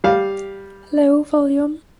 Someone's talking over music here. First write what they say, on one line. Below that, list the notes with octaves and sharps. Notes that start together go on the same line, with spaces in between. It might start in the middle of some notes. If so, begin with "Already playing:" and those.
Low volume.
G3 F5